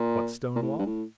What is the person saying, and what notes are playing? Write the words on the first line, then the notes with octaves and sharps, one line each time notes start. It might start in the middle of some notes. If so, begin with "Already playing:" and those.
What stone wall?
Already playing: A#2
A#2
A2
G2
A2